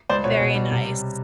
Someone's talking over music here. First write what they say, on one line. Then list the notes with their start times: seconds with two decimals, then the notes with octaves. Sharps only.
Very nice.
0.09 C#2 C5 D5
0.24 B2 C#5
0.39 B2
0.55 G3
0.71 C3